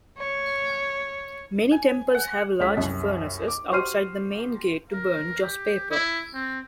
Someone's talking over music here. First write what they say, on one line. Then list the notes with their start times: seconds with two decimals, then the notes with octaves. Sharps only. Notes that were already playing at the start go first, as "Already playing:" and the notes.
Many temples have large furnaces outside the main gate to burn joss paper.
0.18 C#5
1.71 G#5
2.15 F#5
2.60 C#2 C#5 B6
2.77 C2 F#2
3.48 D6
3.72 F#4 G4 C5 C6 F6 D#7
4.93 A#4
5.42 G4
5.91 E4
6.34 C4